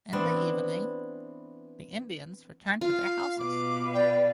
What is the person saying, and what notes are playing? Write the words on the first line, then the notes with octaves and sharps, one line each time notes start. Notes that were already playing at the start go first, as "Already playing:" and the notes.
In the evening, the Indians return to their houses.
E3 B3 C4 D4 E4
F4 F5
B2 B4 F5 D6
D5 G5